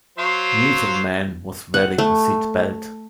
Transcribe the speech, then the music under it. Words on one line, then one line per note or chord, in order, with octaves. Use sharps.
Neither man was wearing a seat belt.
F#3 C5 F5
F#5
A3